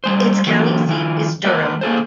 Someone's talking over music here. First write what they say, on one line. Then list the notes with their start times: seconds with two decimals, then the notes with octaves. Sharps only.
Its county seat is Durham.
0.04 G3 G#3 C5
0.47 D3 E3 F#3 A#3 A4 A#4
0.87 D#3 F3 E4
1.45 G#3 A#4 B4 D#5
1.81 A#3 G#4 A4 C5